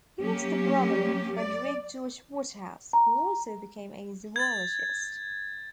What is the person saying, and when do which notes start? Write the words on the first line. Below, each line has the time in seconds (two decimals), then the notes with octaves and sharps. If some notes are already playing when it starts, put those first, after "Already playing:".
He was the brother of Frederick George Waterhouse, who also became a zoologist.
0.21 F#3 A#3 C#4 G4
1.36 D5
2.93 A#5
4.36 G#6 A6